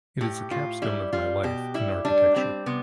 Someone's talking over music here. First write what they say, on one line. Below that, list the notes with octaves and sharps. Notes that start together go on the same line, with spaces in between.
It is the capstone of my life in architecture.
A2 G4
A2 F4
G3 E4
G3 F4
B2 G4
G3 E4
G3 D4
G3 C4
C3 B3